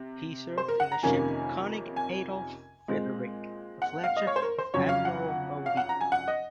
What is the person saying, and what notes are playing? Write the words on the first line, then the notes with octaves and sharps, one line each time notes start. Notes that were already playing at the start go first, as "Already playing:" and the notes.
He served in the ship "Konig Adolf Frederic", the flagship of Admiral Modee.
Already playing: C3
C5
A#4
F#5
A#5
F2 C3 D#3 A#3 C#4 G#5
G#5
A#2 G#3 C4
F#5
F5
D#5
C#5
C5
A#4
C5
F2 C#3 F#3 C#4 C#5
F5
F#5
F5
F#5
A#5
G#5
F#5
D#5